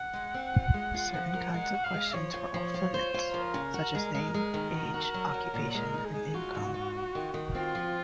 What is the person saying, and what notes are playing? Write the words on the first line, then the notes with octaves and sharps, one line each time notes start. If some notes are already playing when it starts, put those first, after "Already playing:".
Certain kinds of questions were "off-limits", such as name, age, occupation, and income.
Already playing: F#5
G#3
C4
F4
G#3
F4
F3
A#4
G#3 F#5
F#4
F5
G#3
F3 C#5
F3
F3
F4
C5
F4
F3 A#4
C#3
F#4
G#3
G#3
G#3
D#3 A#4
F#4
F#4
F#3
F#3
A#2
G#3 A#4
D#4
G#4
G#3
F4 F#4
G#2
F4
F4
D#3
D#3
C4 F4
F3